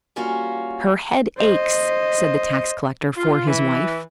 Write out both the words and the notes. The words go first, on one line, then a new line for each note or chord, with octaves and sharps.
"Her head aches," said the tax-collector for his wife.
G3 A#3 C#4 F4 F#4
C5 D#5
F4
E3